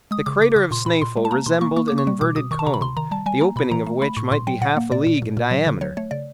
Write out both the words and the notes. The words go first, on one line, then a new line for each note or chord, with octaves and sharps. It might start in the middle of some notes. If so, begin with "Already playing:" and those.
The crater of Snaefell resembled an inverted cone, the opening of which might be half a league in diameter.
G#3 D#6
C#3 D6
C#3 D6
C#3 D6
A#2 C6
A#2 B5
A#2 C6
G#3
A5
A#3 A#5
B2 C6
A#3 C#6
A#3 C#6
A#3 D6
C#6
G3
B2 D6
B2 D#6
D#3 C#6
A5
C3 A#5
B5
C3 C6
D#3 A#5
G3 A5
G3 G#5
A#3 A#5
B2 B5
E3 A#5
A3
A3 B5
A2 C#6
A#2 C6
F#3 G5
A#2 F#5
A#3
A#2 D5
A#2
A#2
A#2
F#3
D3
F#3 C#5
A3 C#5
C#3 D5